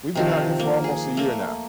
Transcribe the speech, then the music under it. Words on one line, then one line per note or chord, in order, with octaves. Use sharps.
we've been out here for almost a year now,
C3 D#3 F3
A#3
G#4
A3 A#3